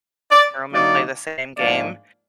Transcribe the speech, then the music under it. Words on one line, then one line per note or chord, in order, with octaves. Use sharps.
in a room and play the same game,
D5
D3 F#3 A#3 D#4 D5
G#2 F3 A#3 D4 D5